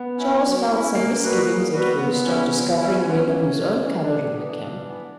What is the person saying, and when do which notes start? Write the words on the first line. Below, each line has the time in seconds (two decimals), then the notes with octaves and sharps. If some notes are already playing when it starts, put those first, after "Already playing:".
Charles felt some misgivings at first on discovering men of his own color in the camp.
Already playing: B3
0.17 C#4 E4
0.43 F#3
0.69 C#4 E4
0.95 C#3 A#3
1.21 G3 B3 F#4 B4
1.46 C#3
1.72 G3 B3 F#4 B4
1.98 A#2 B3
2.24 G3 C#4 E4
2.50 A#2
2.76 G3 C#4 E4
3.01 G2 C#4
3.09 B3
3.16 C#4
3.27 E3 A#3
3.52 G2
3.78 E3 A#3
4.04 G2 D4
4.31 E3 B3
4.56 G2
4.81 E3 B3